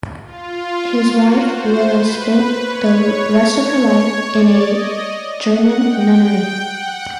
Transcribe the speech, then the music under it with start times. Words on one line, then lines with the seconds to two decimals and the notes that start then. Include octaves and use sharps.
His wife Willa spent the rest of her life in a German nunnery.
0.24 F4
1.04 F#4
1.43 C5
1.83 B4
2.63 C#5
4.22 D5
4.61 D#5
5.41 F#5
5.81 G5
6.20 G5
6.60 F#5